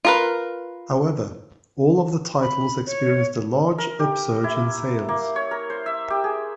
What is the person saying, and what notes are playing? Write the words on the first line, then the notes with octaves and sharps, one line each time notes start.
However, all of the titles experienced a large upsurge in sales.
F4 A#4 B4
B5
C#5
A#4
G4
E4
A#3
C#5
A#4
C5
E5
G4
G#4